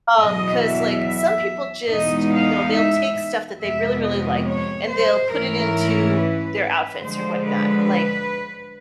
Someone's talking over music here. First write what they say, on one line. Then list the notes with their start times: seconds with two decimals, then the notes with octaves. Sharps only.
Um, 'cause, like, some people just, you know, they'll take stuff that they really, really like, and they'll put it into their outfits or whatnot. Like,
0.19 E2 B2 F#3 D#5
0.62 E5
1.90 E2 B2 G#3 B3 D#4 D#5
2.33 F5
2.76 E5
3.61 F2 C3 F3 G#3 B3 E5
4.03 D#5
4.47 C#5
4.89 C5
5.31 G#2 E3 A3 C#4 E4 A#4
6.17 B4
7.02 D3 F3 G#3 C5
7.45 B4